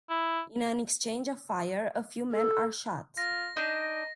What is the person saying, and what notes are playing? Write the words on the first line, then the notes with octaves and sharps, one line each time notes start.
In an exchange of fire, a few men are shot.
E4
A4
F4 A#6
D4 D#4 D#5